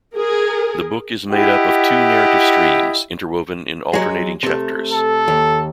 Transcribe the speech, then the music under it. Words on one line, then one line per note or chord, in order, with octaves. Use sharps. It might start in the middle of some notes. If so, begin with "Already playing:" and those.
The book is made up of two narrative streams, interwoven in alternating chapters.
G#4 A#4
E4 G4 D#5 F#5
F#3 G#3
C3 A3
A4
D#2